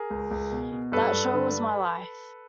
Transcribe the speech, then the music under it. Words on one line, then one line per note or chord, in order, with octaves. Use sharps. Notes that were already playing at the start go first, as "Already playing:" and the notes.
That show was my life.
Already playing: G#4 A#4
C#2
C#2
B2
B2
G2 A4 B4
G2
D3